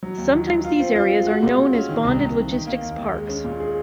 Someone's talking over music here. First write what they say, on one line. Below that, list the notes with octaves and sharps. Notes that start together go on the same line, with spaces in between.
Sometimes these areas are known as bonded logistics parks.
F#3
D#2
D#3
F#3
F4
C4
F4
G#3
F#4
A#2
A#2
C#4
D#3
C2
C2
D#3
D#3
A#3
D#2
D#2
G#3
C#4
A#2
G#4